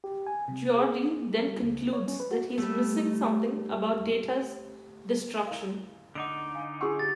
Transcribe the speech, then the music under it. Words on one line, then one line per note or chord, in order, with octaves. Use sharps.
Geordi then concludes that he's missing something about Data's destruction.
G4
G#5
C3
G#4
G3
C#2
C#5
C#4
B4
F#4
G3 A3
E4 A#4 F5
D3 D#4 D5 D#5 F#5 D6 D7
F5 G#5
G#4 F#5 C6 C#6 E6
G4 C#5 A6